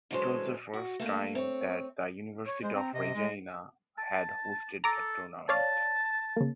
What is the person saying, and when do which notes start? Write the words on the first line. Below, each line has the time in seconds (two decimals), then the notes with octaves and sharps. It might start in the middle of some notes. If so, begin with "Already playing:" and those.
It was the first time that the University of Regina had hosted the tournament.
0.11 D3 E3 F#3 G#3 C#4 C5
0.74 F#4
1.00 A3 A#3 D4
1.35 C4 C#5
2.46 C#5
2.62 G#3 C5
2.74 C4 A#5
2.93 C3 D#5
3.15 G#3
3.98 A5
4.84 A4 A#5 D6
5.49 C#5 D5 F5 A5
6.36 C#3 A#3